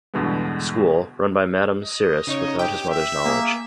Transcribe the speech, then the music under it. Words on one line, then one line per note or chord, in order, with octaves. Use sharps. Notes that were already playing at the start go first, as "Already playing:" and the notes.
School, run by Madame Siris without his mother's knowledge.
E2 G2 B2 D3 G#3 B3
D#5
C#3 D#4 C#5
G4 G5
E5
A#3 G#4